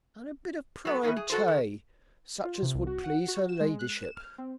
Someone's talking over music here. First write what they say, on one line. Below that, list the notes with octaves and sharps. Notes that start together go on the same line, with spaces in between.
And a bit of prime tay, such as would please her ladyship.
F#3 B3 A4
D#3 E3 B3 C#4 E4
G#4
F#4 A4 A#4 C5
D#3
F4
C3
C2
F#4
F#5
F#4
E7
G#3
F#6
E7
F6
C4